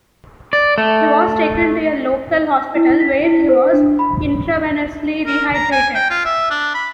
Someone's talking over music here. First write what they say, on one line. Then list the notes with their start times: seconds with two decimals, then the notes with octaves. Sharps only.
He was taken to a local hospital where he was intravenously rehydrated.
0.53 D5
0.78 A3
2.75 E4
3.00 B6
3.24 E4
3.48 C5
3.73 D4
3.99 B5
5.26 A#4
5.54 A#5
5.72 G#5
5.95 G5
6.10 F4
6.25 E5
6.51 D4
6.74 B5